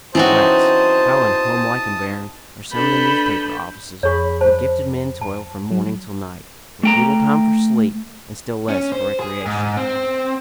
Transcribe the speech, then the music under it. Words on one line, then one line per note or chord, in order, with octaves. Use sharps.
Alas! how unhomelike and barren are some of the newspaper offices, where gifted men toil from morning till night, with little time for sleep, and still less for recreation.
E3 C4 C#4 D#4 F#4 C5 A5 D#6
D4 A4 B4 B5 G6
F2 G#4 C#5 B5 C#6
C5 A5
A5
F#3
A3 G5 A#5
C#4
C5
G#4
G#2
C4